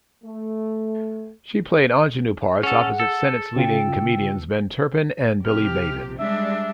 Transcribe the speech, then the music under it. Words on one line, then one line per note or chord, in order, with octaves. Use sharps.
She played ingenue parts opposite Sennett's leading comedians, Ben Turpin and Billy Bevan.
A3
C#4 G#4 A4 F#5
A4
C#3 F4 G5
C3 F3 G4 F6
G3 G#3 D4 E5